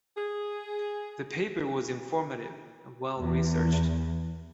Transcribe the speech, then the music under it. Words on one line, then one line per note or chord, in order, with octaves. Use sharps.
The paper was informative and well researched.
G#4
E2